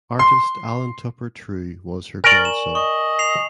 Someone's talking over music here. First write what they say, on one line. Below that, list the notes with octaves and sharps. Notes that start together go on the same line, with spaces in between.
Artist Allen Tupper True was her grandson.
C6
A#4 D5 G#5 C#6 F#7
E7
D#5 C#6
C7 F7